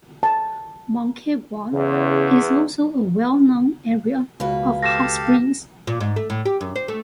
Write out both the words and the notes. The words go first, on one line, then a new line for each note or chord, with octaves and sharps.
Moncagua is also a well known area of hot springs.
A5
E2 C#3
C#2 B2 A#3 B4
G4 A4 F5 A#6 E7
A#2
G#2
A3
A2
G4
F#2
C5
A3